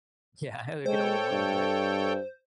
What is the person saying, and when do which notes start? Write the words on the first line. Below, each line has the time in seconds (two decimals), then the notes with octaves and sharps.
Yeah, it would get overwhelming, right?
0.86 G#3 A4 C5 C#5 G5
1.32 G2